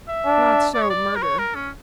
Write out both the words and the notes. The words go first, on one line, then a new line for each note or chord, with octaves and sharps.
Not so, murder.
E5
D4
D5
C#5
D5
A#4
C#5
A#4
C#4